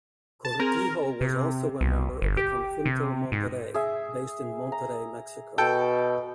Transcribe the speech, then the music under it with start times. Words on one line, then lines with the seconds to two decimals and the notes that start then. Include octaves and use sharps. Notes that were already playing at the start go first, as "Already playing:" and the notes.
Cortijo was also a member of the Conjunto Monterrey, based in Monterrey, Mexico.
0.45 A5
0.60 C4 G#4 A#4
1.21 C3
1.81 C2
2.22 G1
2.37 G4
2.85 C3
3.32 G#2
3.74 G#4 E5
4.72 A#5
5.58 B2 A4 G5